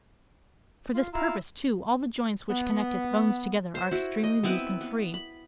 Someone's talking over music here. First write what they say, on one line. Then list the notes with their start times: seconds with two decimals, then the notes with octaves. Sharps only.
For this purpose, too, all the joints which connect its bones together are extremely loose and free.
0.94 F4
1.14 E4 F4 A#5 E6
2.50 B3
3.75 C5
3.91 E4 F#4
4.24 D#5
4.43 B3 C4 E4 B4
4.81 B3
5.14 B5